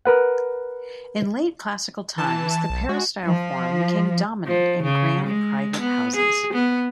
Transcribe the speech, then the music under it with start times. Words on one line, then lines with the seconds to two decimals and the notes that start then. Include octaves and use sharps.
In late classical times the peristyle form became dominant in grand private houses.
0.05 A#4 B4 F#5
2.18 E3 A5
2.51 A5
2.70 B1
2.89 G#3 F#4
3.26 F3
4.46 F3
4.83 C#3
5.27 G#3
5.80 B3
6.16 G#4
6.54 B3